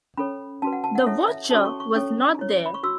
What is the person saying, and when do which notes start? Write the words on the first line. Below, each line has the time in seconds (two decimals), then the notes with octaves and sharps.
The watcher was not there.
0.17 C#4 A4 C#5 B5
0.62 C#4 F#4 B4 A5
0.73 F#5
0.84 A5
0.95 F#5
1.06 E4 A4 C#5 E5
1.28 E5
1.50 C#4 F#4 A4 C#5 A5
1.65 C#6
1.80 C#6
1.94 C#4 A4 C#5 C#6
2.39 E4 C#5
2.66 B5
2.74 C#6
2.83 F#4 E6